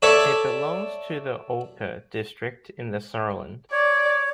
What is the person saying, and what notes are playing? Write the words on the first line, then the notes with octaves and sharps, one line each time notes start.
It belongs to the Olpe district in the Sauerland.
A4 C#5 D5 E5
C#5 D5